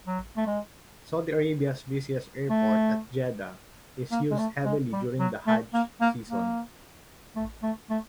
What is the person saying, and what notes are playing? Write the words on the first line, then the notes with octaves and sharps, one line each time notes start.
Saudi Arabia's busiest airport at Jeddah is used heavily during the Hajj season.
F#3
A3
G#3
A3
A#3
G#3
A3
G#3
G3
F#3
A3
A#3
A#3
A#3
A3
A3
A3